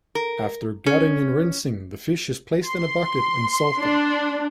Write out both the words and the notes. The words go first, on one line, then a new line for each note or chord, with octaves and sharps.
After gutting and rinsing, the fish is placed in a bucket and salted.
A#4
C#4
C6
D4